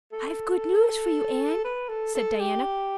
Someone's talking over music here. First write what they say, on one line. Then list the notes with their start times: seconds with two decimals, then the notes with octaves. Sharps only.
"I've good news for you, Anne," said Diana.
0.13 A4
1.64 B4
1.89 A4
2.15 A4
2.40 G4